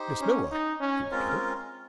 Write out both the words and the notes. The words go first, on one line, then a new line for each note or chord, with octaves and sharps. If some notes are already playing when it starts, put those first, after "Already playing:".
"Miss Milroy!" he repeated.
Already playing: D#4 G4 C5
C#4
D#4
C#4
G#3 C4 C#4 F4 A#4